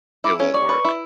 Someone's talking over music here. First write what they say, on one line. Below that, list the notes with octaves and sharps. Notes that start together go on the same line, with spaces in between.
It won't work.
E4 D6
C#4
D5 C#6
B4
E4